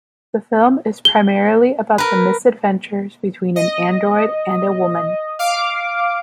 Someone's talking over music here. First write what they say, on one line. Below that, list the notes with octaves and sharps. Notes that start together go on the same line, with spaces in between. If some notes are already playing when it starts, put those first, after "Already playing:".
This film is primarily about the misadventures between an android and a woman.
G7
A#4 B4
D#5
F5 D6